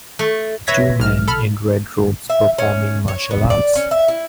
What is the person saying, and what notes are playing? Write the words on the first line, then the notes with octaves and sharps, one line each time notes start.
Two men in red robes performing martial arts.
A3
B4 C#5 E5 G#6 A#6 B6
B1 F6
A4 B5 F6
E5
C#4
C#5
B3
D5
C#4
E5
E4